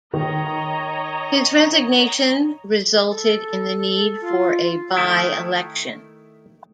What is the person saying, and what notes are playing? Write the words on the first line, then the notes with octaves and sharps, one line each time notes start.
His resignation resulted in the need for a by-election.
D#3 C#5 D#5 A#5
A4
F4
D#3 A3 E4